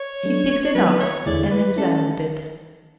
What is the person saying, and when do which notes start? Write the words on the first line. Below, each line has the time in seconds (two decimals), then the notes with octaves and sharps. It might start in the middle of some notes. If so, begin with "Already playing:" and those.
He picked it up and examined it.
Already playing: C#5
0.23 F#3 A3 D4
0.75 F#3 B3 E4 B4
1.00 C#5
1.26 E2 D3 A3 E4 G#4 D5
1.51 B4
1.76 A3 C#4 E4 A4